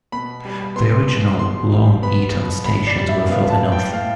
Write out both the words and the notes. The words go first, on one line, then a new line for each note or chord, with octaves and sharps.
The original Long Eaton stations were further north.
B2 B5
G3
B3 C6
B2 C6
B2 C6
G3
B3 B5
B2
A2 B5
D5
G3
E5
B3 F5
A5
A2
G5
A2 F5